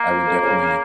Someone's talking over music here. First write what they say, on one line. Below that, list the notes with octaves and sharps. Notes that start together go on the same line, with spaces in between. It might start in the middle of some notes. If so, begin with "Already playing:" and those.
I would, definitely,
Already playing: A#3
F3
F2
C#3